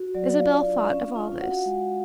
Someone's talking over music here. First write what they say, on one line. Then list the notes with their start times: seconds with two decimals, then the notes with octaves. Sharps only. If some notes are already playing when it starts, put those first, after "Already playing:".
Isabel thought of all this.
Already playing: F#4
0.15 F#3 D5
0.32 D5
0.40 F4 F5
0.65 D4
0.90 C#4
1.16 F4
1.32 F5
1.40 F#4 F#5
1.66 G#3